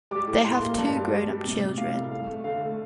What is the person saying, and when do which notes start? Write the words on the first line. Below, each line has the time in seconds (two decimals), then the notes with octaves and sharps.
They have two grown-up children.
0.11 G3 D6
0.27 A2
0.45 A2 C6
0.61 A#3
0.78 G2 A5
0.95 G3
1.11 G3
1.28 G3
1.44 C3
1.61 C3
1.77 C3 F5
1.94 C2
2.11 A3 F5
2.27 A3
2.44 D3 F5
2.61 A3